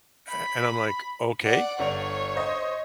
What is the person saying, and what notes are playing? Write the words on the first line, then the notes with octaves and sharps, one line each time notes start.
Eh a and I'm like, "Okay.
B5
D5 F#5
G1 C#5 D5 F7
C5 D#5